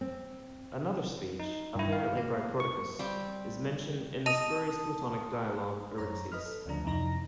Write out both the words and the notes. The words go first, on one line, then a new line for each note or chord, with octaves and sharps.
Another speech, apparently by Prodicus, is mentioned in the spurious Platonic dialogue "Eryxias".
C4
D#4
G2 E4
F5
A#3
C#6
G3 C4 G4
D#5 A5 D#6 D#7 F7
F#2 C5 C#5 A#5
B4 D#5 B5 F6
A4
D2 C#3 F3 D4 A#5
F2 C3 E3 D#4 A#5 A#6